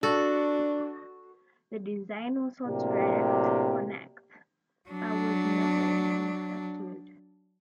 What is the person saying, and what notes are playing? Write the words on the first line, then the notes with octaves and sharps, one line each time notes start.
The design was sold to Direct Connect, but was never manufactured.
D4 F#4 A4
A2 C3 F#3 A#3 D4 G4
F#3 D4